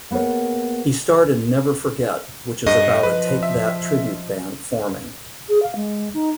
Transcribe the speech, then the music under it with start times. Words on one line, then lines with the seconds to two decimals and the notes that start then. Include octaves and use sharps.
He starred in "Never Forget" which is about a Take That tribute band forming.
0.11 A#3 B3 G#4 A#4 C#5
2.67 G2 D#5
3.03 F3 B4
3.43 E5
5.49 G#4
5.63 F5
5.76 G#3
6.14 D#4